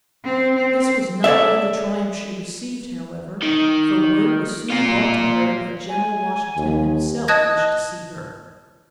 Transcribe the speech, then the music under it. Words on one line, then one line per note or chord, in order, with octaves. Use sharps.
This was not all the triumph she received, however, for word was soon brought to her that General Washington himself wished to see her.
C4
C4
A4 C#5 D5 E5
D#3
A#3 F4
G#5
D#2
D#5 A5 D#6 F#6 G#6 A#6